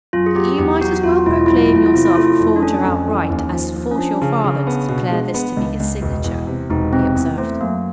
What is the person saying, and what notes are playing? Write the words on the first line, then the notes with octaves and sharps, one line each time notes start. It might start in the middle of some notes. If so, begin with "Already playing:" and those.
"You might as well proclaim yourself a forger outright, as to force your father to declare this to be his signature," he observed.
F#2 F4
G#4
F#3 G4
E2 G4
F#3 F#4
F#4
E2 F4
E1 E4
F4
F#3 E4
F4
E4
E2 F4
E4
C3 F4
E4
A3 F4
E4
F2
D4
A3 C#4
F2
E3
D#2
F3
F3
C#4
F3 D4
C#3
C#3
B3
B2
G#3
B3
C#2
C#2
E1
E2
C3
E1 D#4
C3 C4
E2
A3 C4
F#2 A#3